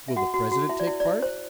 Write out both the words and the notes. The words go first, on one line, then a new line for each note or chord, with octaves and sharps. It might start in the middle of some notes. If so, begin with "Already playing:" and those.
Will the President take part?
E5
F#4 F#5
F#4
F#4
E4 E5
D5
E4
D5
E4
C5